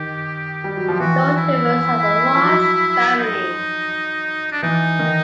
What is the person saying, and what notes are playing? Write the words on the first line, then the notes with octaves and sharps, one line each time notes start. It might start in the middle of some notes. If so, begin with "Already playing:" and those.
Lord Rivers had a large family.
Already playing: D#3 G4
G3
F#3
F3
E3 F#4
E4
F3
F#3
D#4
D4
E3 D#4
D#3